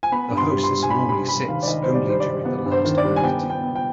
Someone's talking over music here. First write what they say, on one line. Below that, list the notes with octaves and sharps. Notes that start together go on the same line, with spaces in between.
The hosts normally sits only during the last pankti.
G#5
B3 B5
G2
C6
G3
C6
G3
G#5
G3 B5
G3 B5
G3 B5
D#3 F5
D5
D#3 D#5
G3 C5
D5
G3 C5
D5
G3
B3
G2
C5
D#3
D5
G3
G#5
B3 G5
B3
G5
B3
G5